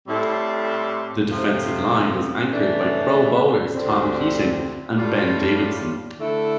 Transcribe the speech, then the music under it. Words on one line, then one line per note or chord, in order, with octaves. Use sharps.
The defensive line was anchored by Pro Bowlers Tom Keating and Ben Davidson.
A2 G3 C4 E4 A4
C3 F3 A3 C4
C3 E3 A3 D4
D2 D3 G3 C4
A2 G3 D4 F4
D3 A3 E4 A4